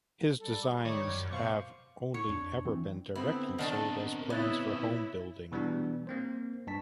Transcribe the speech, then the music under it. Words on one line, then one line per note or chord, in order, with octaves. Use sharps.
His designs have only ever been directly sold as plans for homebuilding.
G3 A4
D6
D#3 C#5
F#2
B2 C5 F5 C#6
C#5
F2 D4
E3 C4
D3 B3 C4 E4
B2 D#3 C4 D4 F#5 A5
B3 E4 C#5 F#6 A6
B2 E3 G3 B3 D4
A#3 C4 C5
G2 A5 B6